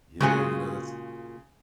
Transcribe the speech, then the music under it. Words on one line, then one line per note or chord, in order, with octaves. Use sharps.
Yeah, you know, that's
A#2 C#3 G#3 F#4 G#5